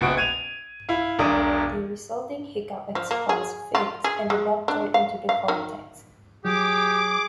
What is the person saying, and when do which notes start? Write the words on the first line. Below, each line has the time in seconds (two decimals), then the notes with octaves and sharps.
The resulting "hiccup" expels Fitz and the Doctor into the vortex.
0.01 F#1 B2 F#4 D7
0.17 G#6 D#7 F7
0.89 E4 F5
1.19 E1 B1 D4 A#4 D6 D#6
2.95 F3
3.11 A#3
3.29 G#4
3.75 F4
4.04 G#4
4.30 G#3
4.68 D4
4.94 F5
5.29 F5
5.48 D#3
6.45 F#3 G4 G#4 D6